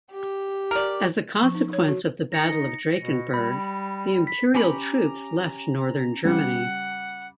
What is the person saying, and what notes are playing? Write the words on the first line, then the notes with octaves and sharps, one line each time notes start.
As a consequence of the Battle of Drakenburg, the Imperial troops left northern Germany.
G4
A#4 D5
F3
D#4
C#5
F#4
D#4 A#6 C#7
B2
G3 B5
B6
C#4 G4 A#5 B5
C#3 G3 F#5